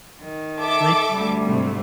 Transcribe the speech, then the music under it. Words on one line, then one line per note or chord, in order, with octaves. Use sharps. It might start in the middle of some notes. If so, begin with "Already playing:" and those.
my thing.
D#3
A4 E5 D6
D2 G3
G#2 C3 A3